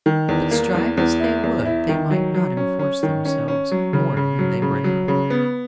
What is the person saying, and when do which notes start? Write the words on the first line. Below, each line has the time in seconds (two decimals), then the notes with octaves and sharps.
But strive as they would they might not enforce themselves more than they were able.
0.06 D#3
0.29 E2
0.51 A#3
0.74 E2
0.97 E2
1.20 E4
1.43 E2
1.65 E4
1.89 D#3
2.11 F#3
2.34 F#3
2.57 C#4
2.79 C#4
3.03 D#3
3.25 C#4
3.48 C#4
3.71 F#3
3.93 C#3
4.17 C#3
4.39 F#3
4.62 C#3
4.84 F#3
5.08 C#3
5.30 B3